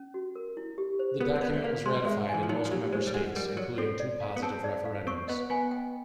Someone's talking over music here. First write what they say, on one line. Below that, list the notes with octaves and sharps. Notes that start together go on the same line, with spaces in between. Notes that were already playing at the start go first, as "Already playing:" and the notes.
The document was ratified in most member states, including two positive referendums.
Already playing: C#4
F#4
A#4
E4
G4
C5
B3 A#4
C4
B3 D5
A3
A#3 F5
G#3 C6
G3
G#3 E5
G#5
E3
F3
F#3 D#4
F3
F#3 G4
G#3 C5
G3
G#3 F#5
G3 A#4
F#3 D5
C4 A4
D5
F5
B3
C4 A5
D5
F5
C4 C#6
B3 D#5
B3 G#5
G5